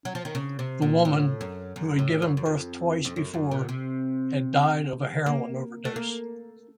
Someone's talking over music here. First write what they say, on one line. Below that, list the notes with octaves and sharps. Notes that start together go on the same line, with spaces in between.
The woman, who had given birth twice before, had died of a heroin overdose.
F#3
F3
D#3
C#3
C3
A#2
A2
F#2
F#2
A2
F#2
F#2
F2
F2
F#2
F#2
A#2
C3
A#3
A3
A#3